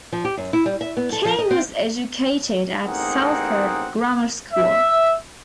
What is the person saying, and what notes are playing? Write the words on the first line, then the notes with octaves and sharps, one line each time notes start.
Caine was educated at Salford Grammar School.
F3
G4
F#2
E4
G3
E5
B3
A4
F3
D#5
C4
A1 A#3 C4 D#4 G#4 F#5
E5